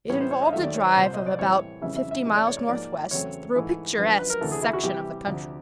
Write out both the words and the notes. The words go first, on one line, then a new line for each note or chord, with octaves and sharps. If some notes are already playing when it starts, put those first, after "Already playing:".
It involved a drive of about fifty miles northwest, through a picturesque section of the country.
A2 E3 G3 B3 C#5
C5
C#5
D#5
F5
D#2 D#3 F#3 A3 E5
D5
C#5
C5
C2 A#2 G3 C5
D#5
D5
A2 E3 G3 C4 C#5
F2 C#3 E3 G3 E5
E5
E5
C3 E3 A3
D5
C#5
C#5
G#2 F3 A#3 D5
E2 C#3 F#3 A3 C4 C#5
G#2 E3 A3
F#2 D3 F3 B4
B4
B4
A#4
D2 C3 E3 A3 A4
G#4
E4
F#4
C3 E3 G3 G4
D2 C3 F3